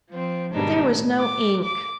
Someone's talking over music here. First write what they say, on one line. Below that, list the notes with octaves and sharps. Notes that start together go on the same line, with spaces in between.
But there was no ink.
F3 C4
G#2 B2 D#3 G3 D4 D#4
A2
D6
D6